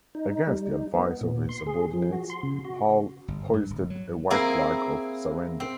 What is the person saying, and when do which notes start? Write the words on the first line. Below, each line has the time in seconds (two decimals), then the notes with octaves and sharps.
Against the advice of his subordinates, Hull hoisted a white flag of surrender.
0.15 D#4
0.47 G3
0.72 D#4
0.95 B3
1.21 A#2
1.49 C6
1.67 G#4
1.93 F3
2.12 F#4
2.30 C6
2.43 C#3
2.65 F#4
3.28 G1
3.53 G2
3.70 D1
3.90 F#3
4.30 A#3 C4 E4 G#4 A#4
5.60 C4